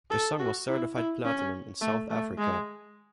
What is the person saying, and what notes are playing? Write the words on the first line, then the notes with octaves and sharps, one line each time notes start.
The song was certified platinum in South Africa.
A4
F#4
E4
E4
C#4
A3
A3
G#3